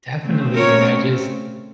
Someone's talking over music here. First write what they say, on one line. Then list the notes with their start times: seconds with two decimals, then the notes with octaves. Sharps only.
Definitely, and I just
0.21 C#3 A3 C4
0.54 A#4 C#5